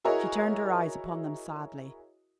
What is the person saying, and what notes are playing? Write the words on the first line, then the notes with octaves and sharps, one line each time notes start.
She turned her eyes upon them sadly.
E4 F#4 G#4 A#4 C#5 D#5